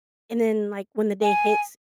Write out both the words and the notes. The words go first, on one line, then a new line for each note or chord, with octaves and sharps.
and then, like, when the day hits
G#5